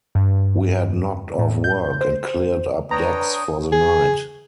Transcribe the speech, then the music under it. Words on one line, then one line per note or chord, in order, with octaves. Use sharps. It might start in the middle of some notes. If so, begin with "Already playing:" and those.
We had knocked off work and cleared up decks for the night.
G2
A2
G6
C5
D4 B4 C#5 G5 A#5 D#6
G#4